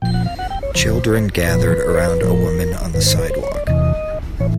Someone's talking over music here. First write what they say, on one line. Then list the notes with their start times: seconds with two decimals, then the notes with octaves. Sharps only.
Children gathered around a woman on the sidewalk.
0.02 A#2 F3 G5
0.14 F#5
0.26 F5
0.39 F#5
0.50 G5
0.63 C#5
0.75 E2 C#3 F3 C5
1.48 A#2 F3 B4
1.94 C5
2.08 B4
2.21 A2 F3 A#4
2.94 G#2 D#3 B4
3.06 C5
3.18 B4
3.30 C5
3.43 C#5
3.55 D5
3.67 E2 C3 E3 D#5
4.40 A2 E3 C#5